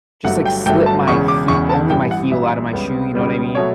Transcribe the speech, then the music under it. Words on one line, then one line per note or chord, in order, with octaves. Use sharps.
Just, like, slip my hee only my heel out of my shoe, you know what I mean,
G1 G2 F#3 A3 F#5
G5
G1 G2 F#3 A3 G5
A5
E1 E2 C#3 C#6
D6
E1 E2 C#3 C#6
A5
A1 G2 E3 G5
F#5
A1 G2 E3 E5
C#2 C#3 G3 B3
C#2 C#3 G3 B3
B2 F#3 A3 C#5